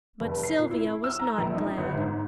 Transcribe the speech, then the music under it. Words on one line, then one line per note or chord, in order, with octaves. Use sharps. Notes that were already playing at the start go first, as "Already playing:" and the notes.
But Sylvia was not glad.
F1
C7
A#2
E4
E6
A#5
A#1
D#4
G1
G#2